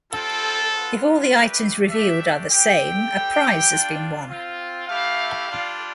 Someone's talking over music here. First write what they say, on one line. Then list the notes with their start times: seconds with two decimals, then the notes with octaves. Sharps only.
If all the items revealed are the same, a prize has been won.
0.13 G3 C4 F4 A4
0.72 B3 F4
1.31 A3 D4 G4 B4
1.91 A3 D4 G4 E5
2.50 C4 G4 G5
3.09 G3 C4 G4
3.69 G3 D4 F4
4.28 C4 F4
4.88 A3 E4 G4 F5
5.47 G3 D4 F4